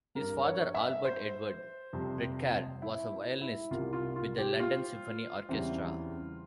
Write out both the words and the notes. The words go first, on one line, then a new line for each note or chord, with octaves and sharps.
His father, Albert Edward Pritchard, was a violinist with the London Symphony Orchestra.
G2 G3 A#3 A#4
C#5
E5
C5
F2 C3 G3 C4
E4
E4
C2 C3 G3 A#3 F4
F4
F4
G4
F4
E2 C#3 E3 G3 C4